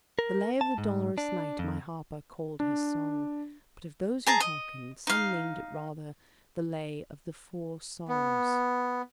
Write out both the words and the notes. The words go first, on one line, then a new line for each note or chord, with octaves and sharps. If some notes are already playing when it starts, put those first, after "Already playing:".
The Lay of the Dolorous Knight, my harper called his song, but of those who hearkened, some named it rather, The Lay of the Four Sorrows.
A#4
A5
G#2
D4
F2
D4
G#4 A5 A#5
D#5
D#4 F5
B3